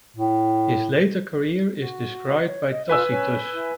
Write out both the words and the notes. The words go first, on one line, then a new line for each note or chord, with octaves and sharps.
His later career is described by Tacitus.
A2
F#4
C#5
D#5
F4 B4 G#5 E6
C#4
E4